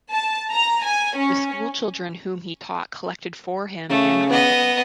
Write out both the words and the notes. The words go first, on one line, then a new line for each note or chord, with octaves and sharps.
The school children whom he taught collected for him and with him.
A5
A#5
G#5
C#4
C#3 A3
B3 D#5